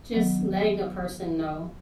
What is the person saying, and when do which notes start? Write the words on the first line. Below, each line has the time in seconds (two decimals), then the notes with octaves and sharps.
just letting a person know.
0.14 D#3 F#3 B3